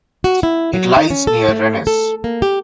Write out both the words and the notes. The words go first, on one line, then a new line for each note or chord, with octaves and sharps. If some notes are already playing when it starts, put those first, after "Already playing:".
It lies near Rennes.
F#4
E4
F#3
D#4
C#4
A4
A3
A4
A#3
G4